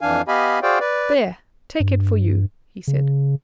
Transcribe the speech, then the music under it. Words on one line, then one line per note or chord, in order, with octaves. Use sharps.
"There, take it for you," he said.
F2 E3 D4 F5 G#5
B3 G4 D#5 F5 G#5 B5
F#4 G#4 C5 D5 F5 G5
B4 D5
G2
C#3